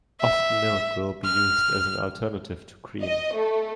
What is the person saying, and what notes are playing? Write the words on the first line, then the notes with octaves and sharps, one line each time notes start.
Often milk will be used as an alternative to cream.
E5
F6
D#5
A3